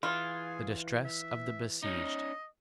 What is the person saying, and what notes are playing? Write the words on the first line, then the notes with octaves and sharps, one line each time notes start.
The distress of the besieged.
E3 F4 G#4
E5
C#4 D#4 D#5